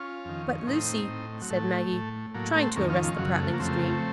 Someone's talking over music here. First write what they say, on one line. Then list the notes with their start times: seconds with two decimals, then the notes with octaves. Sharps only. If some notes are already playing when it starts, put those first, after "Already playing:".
"But, Lucy----" said Maggie, trying to arrest the prattling stream.
Already playing: C#4 F4
0.25 F2 D#3
0.59 C#4
0.67 A2 C4 D#4
1.09 A2
1.42 F#3
1.51 A2 A3
1.93 A2
2.34 A2 F#3 A#3
2.55 A3 C4
2.76 F2 D#3 A#3 C#4
2.90 C#4 F4
3.04 C#4 F4
3.18 F#2 C#3 F#3
3.34 F#3
3.39 A3
3.54 A#3
3.60 F2 C#3 A3 C4